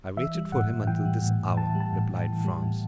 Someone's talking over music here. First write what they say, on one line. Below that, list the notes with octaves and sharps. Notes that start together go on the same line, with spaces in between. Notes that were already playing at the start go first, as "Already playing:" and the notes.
"I waited for him until this hour," replied Franz.
E3 E5
G3
A2 F#5
A2
E3 G5
G3
A2
A2
E3 A5
G3
A5
A2
A2
E3
G3
A2